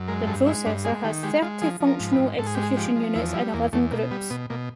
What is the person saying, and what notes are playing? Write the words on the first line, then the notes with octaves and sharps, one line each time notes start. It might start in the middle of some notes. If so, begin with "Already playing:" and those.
The processor has thirty functional execution units in eleven groups.
Already playing: F#2
G#3 A#4
G2 A4
G#3 E4
G2 D4
G#3 G#4
D#3 G4
G#3 G4
G#3 F4
F3 G#4
F3
A#4
G#2
B4
G#2
G#2 A4
G#4
G#3 G4
G#4
F3 G4
F3
E2 E4
G3 E4
E2 A#3
E2 A3
B2 A#3
G3 B3
B2 B3
B2 A#3